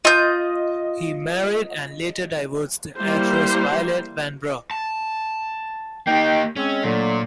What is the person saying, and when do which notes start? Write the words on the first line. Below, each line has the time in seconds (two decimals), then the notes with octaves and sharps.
He married and later divorced the actress Violet Vanbrugh.
0.05 F4 D#5 D#6 G6
2.97 G3 A#3 E4 C5
4.71 A5
6.07 A#3 D#4 G4 G5
6.56 G#3 C4 C#4
6.84 A#2 D3 F#3 A3